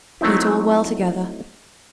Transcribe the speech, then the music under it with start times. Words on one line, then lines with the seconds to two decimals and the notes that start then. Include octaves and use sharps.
Beat all well together.
0.21 F#3 A3 C4 D#4 E4